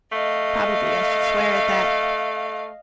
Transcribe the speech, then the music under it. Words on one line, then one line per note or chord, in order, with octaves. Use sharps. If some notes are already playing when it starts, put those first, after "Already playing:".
Probably I should swear at that.
A3 D#5 F5